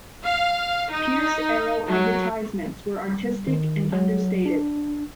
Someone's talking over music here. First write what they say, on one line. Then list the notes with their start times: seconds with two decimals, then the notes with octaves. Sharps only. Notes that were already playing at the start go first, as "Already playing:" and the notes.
Pierce-Arrow advertisements were artistic and understated.
0.23 F5
0.90 D#4
1.88 F#3
3.08 G3
3.47 D#3
3.93 F#3
4.46 D4